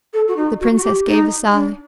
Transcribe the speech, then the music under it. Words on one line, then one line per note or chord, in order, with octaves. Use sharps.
The princess gave a sigh.
A4
F#4
D#4
F#4
F#4
G4
D#4
D4